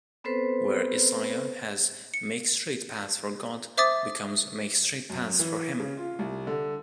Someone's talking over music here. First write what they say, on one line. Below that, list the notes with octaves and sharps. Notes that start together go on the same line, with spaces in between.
Where Isaiah has "make straight paths for God" becomes "make straight paths for him".
B3 C4 A4 B4 C5
C#7
C5 E5 D6 D#6 A6
F#2
E3
C#3
F4
C2
D3